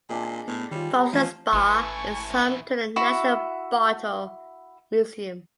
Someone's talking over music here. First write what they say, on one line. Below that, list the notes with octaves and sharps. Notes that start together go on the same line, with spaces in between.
Ballston Spa is home to the National Bottle Museum.
A#2 G#3 C4 D4
A2 B3
D#3 G3 F4 C#5
G4 A#5
E3 F3 A3 F5
G#1 E3 A3 E4 B4 G#5 C6 C#6
E4 F#4 E5